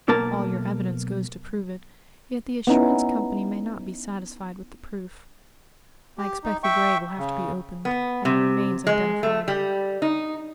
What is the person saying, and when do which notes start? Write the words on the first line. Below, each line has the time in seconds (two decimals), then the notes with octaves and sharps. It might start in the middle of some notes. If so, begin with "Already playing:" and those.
"All your evidence goes to prove it, yet the assurance company may not be satisfied with the proof. I expect the grave will have to be opened, and the remains identified."
0.08 B1 A#3 A#4 A5
2.67 B3 C#4 D#4 E4
6.18 G4
6.44 D#4
6.63 E5 G5 C#6
7.18 C#3
7.85 B3
8.25 C3
8.87 G#3
9.23 A3
9.48 G3
10.02 D#4